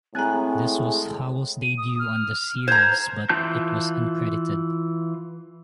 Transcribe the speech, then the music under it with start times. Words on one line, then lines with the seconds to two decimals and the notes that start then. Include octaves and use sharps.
This was Howell's debut on the series but it was uncredited.
0.15 A2 G#3 C4 G#5 A#5 F#6
1.62 D#7
1.78 D#6
1.99 F6
2.68 C5 A#5 G#6
3.29 E3 F4 A5 G6